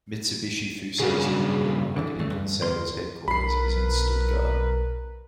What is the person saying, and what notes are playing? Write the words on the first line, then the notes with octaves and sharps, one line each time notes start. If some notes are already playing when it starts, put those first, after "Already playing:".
Mitsubishi Fuso's European marketing and sales headquarters is in Stuttgart.
G2 C#3 F#4 G#4
D3 E3
D2 G2 C#3 A3
G2
D2 A#4 C6
B1 A#4 B4 B5 C7